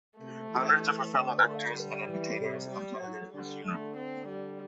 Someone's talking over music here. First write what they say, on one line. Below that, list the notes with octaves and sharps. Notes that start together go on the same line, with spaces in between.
Hundreds of her fellow actors and entertainers attended her funeral.
C3 A3
E3
D3
A3
G3
E3
C3
G3
F#3
D3 G3
D3 A3
C4
G3